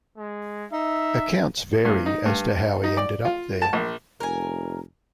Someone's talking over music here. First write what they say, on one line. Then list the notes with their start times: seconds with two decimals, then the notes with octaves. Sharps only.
Accounts vary as to how he ended up there.
0.17 G#3
0.72 D#4 E5
1.85 G2
2.06 D#4
2.26 G2
2.84 D#4
2.97 D5
3.25 F4
3.62 A5
3.73 A#1
4.20 F1 A#4 G#5